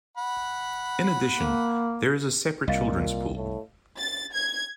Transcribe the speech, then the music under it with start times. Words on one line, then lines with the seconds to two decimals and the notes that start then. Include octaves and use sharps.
In addition, there is a separate children's pool.
0.17 F#5 B5
1.33 A#3
2.68 C2 A#2 D#5 F5 A6
3.36 A2
3.99 A6
4.34 G#6